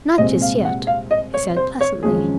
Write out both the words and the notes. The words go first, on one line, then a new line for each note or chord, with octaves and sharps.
"Not just yet," he said pleasantly.
C2 A#2 G#3 C4 D#5
F5
F#5
F5
D#5
C#5
C5
C#5
G#1 F#2 F3 G#3 C#4 G#4